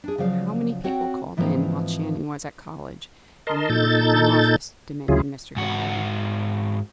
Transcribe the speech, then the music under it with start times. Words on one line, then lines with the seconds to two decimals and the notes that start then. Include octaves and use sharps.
"How many people called in, while Channing was at college, and you were keeping office?" demanded Mr. Galloway.
0.04 D4 G#4
0.18 C#3 F3 F#3 C5 D5 F5
0.84 C4 F#4 C#5 F#5 G5
1.37 G#2 E3 F3 A#3 C4 C5
3.47 A#4 D#5 A5 C6
3.70 A#2 D#4 A4 G6 A6
5.08 D2 C#3 F#3 E4 F4 G#4
5.56 G#2 F#4